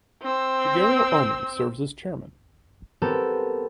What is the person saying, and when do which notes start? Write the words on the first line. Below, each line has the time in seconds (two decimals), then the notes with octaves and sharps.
Shigeru Omi serves as chairman.
0.22 C4 E6
3.02 B3 C4 G4 A4 A#4